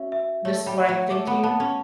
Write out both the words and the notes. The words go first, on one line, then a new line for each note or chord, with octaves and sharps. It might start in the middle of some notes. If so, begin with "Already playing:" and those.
"This is what I'm thinking."
Already playing: C#4 F#4 E5
E5
A3 C#5
G3
C#5
F#3
A3 D6
B3
B3 A5
C#4